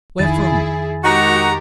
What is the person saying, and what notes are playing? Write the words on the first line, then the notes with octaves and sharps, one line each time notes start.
"Where from?"
F2 D#3 E4 G#4 A6
G#3 D#4 F#4 G4 A#4 A#5